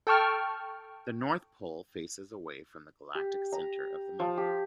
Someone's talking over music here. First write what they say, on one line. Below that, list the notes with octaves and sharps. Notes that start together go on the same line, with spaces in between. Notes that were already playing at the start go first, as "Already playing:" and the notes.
The North Pole faces away from the galactic center of the Milky Way.
A4 G5 A5 C#6 F6
G4
A#5
F3
G4